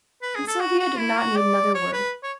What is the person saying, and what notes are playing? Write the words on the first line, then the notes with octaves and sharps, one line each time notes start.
And Sylvia did not need another word.
B4
G#4
A4
F#4
F#4
E4
F#4
D5
C#5
B4
C#5